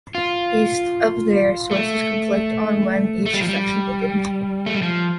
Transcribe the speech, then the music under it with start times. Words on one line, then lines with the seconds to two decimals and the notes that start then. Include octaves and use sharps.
East of there, sources conflict on when each section opened.
0.15 F4
1.71 A3
3.26 A3
3.34 G3
3.41 F3
3.48 G3
4.66 A3
4.75 G3
4.82 F3